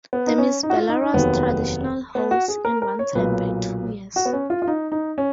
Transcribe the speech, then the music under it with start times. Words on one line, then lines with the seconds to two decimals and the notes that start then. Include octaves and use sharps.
The Miss Belarus traditionally holds in one time per two years.
0.13 B3
0.27 D#4
0.38 C#4
0.63 D#4
0.70 F#4
0.76 F4
0.89 D#4
1.02 D#4
1.13 F1 D#2 D#3 F#3 B3
2.15 B3
2.31 F#4
2.48 G#4
2.65 A#4
2.82 A#4
2.99 C#5
3.15 B1 A#2 F#3 B4
4.16 F#4
4.25 B3
4.33 C#4
4.50 F4
4.62 F4
4.68 D#4
4.92 D#4
5.18 C#4